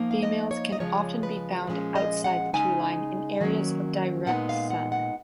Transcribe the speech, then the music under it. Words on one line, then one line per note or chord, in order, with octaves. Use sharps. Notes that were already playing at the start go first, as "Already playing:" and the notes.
Females can often be found outside the treeline, in areas of direct sun.
Already playing: F3 A#3 D#4
F5
D#5
C#5
D#5
C#3 F3 G#3 C#5
B4
A#2 F3 G#3 C#4
D#5
F#5
C#3 G#3 D#4 G#5
D#3 F#3 A#3 C#4
A#2 G#3 B3 D#4 F#5
F5
F#5
F#5